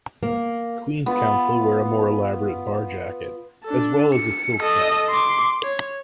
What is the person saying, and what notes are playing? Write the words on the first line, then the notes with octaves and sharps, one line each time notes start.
Queen's Counsel wear a more elaborate bar jacket as well as a silk gown.
A#3
B3 F4
D4 A4
C#7
A4 D#5
C6 D6
C#5